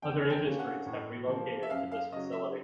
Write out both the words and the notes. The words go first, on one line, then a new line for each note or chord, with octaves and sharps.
Other industries have relocated to this facility.
F2 G5
G5
D3 G3 A#3 C#4
F#5
A2
F3 A#3
E5
F#2 F5
F5
C#3 F#3 D#5
E5